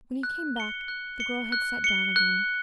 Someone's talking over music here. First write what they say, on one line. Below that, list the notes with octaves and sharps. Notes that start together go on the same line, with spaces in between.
When he came back the girl had sat down again.
F#6
C#7 G7
F#6
C#7 G7
F#6
C#7 G7
F#6